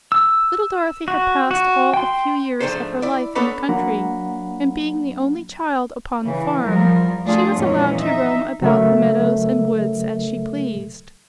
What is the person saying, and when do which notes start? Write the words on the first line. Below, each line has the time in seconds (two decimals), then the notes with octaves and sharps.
Little Dorothy had passed all the few years of her life in the country, and being the only child upon the farm she was allowed to roam about the meadows and woods as she pleased.
0.12 E6
1.08 F#4
1.51 F#4
1.94 G5 C6
2.60 G#2 F3 A3 D4 A4 C5
3.02 E4 D5
3.35 B3 D4 A4 B4 C#5 B5
3.69 F#3 A#3 D4 F#5 A#5 B5
6.23 C#3 E3
6.62 E2 F3 G3 A#4
7.24 A3 A#3 D4 F4 G#4
7.55 F2 A#2 E3 F#3 G#3 C#4
7.97 D#4 E5
8.61 C#3 F#3 A3 A4 A#4 E5